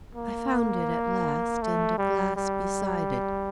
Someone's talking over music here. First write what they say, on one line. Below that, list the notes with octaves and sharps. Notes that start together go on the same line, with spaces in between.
I found it at last and a glass beside it.
A#3
A3
G3
G3